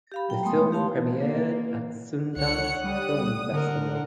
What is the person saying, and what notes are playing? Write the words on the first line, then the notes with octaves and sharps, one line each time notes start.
The film premiered at Sundance Film Festival.
G4 F5 B5
F#3 G5 A#5
G#3 A3 B3 B5 C6 D#6
C#5
A3 G4 F5 A5 C6
A#3
C#2 C#5 F#5 F#6 C#7
G3 D#6
D3 A#4 F#5